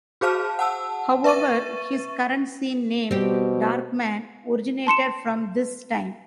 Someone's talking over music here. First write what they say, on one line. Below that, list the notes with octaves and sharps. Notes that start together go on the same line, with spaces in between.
However, his current scene name, Darkman, originated from this time.
F#4 G#4 C5 F5 A5 F6
F#5 A5 E6
B4 E5 C#6 A6 D#7
B2 G3 C4 G4
A5 C6 C#7 E7